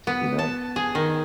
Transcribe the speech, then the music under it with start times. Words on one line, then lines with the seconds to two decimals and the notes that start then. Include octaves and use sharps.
you know,
0.07 B3
0.39 A5
0.76 G#4
0.95 D#3